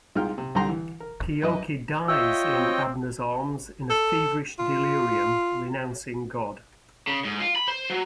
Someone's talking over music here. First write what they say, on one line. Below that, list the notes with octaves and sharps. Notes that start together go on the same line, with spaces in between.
Keoki dies in Abner's arms in a feverish delirium, renouncing God.
C2 G#3 D#4 F4 G5 F6
C3
C2 D3 G3 G5 A#5 C6
E3
A#4
F#2 B4 D#5 E5
F4 C#5 D#5 E5 G5 E6
C4
A4
F4
C#3
G#2
F4
B5
C5
F#3